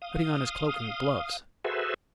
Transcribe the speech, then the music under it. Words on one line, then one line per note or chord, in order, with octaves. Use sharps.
"Putting on his cloak and gloves."
F5 D#6
F#4 G#4 A4 B4 C5 E5